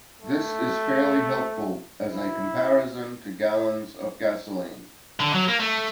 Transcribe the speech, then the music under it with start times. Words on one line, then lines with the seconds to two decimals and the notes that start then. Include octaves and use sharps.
This is fairly helpful as a comparison to gallons of gasoline.
0.22 A3
2.10 E4
5.20 D3
5.33 F#3
5.48 A#3
5.60 A3